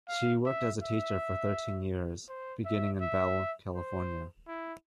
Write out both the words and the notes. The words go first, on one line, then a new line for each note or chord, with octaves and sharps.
She worked as a teacher for thirteen years, beginning in Bell, California.
F5
E5
E5
C5
E5
E5
C5
E4